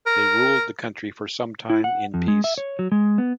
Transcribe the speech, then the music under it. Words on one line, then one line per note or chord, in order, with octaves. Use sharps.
They ruled the country for some time in peace.
A#4
E4
F#5
F2
G#3
E5
C#5
F#3
G#3
B3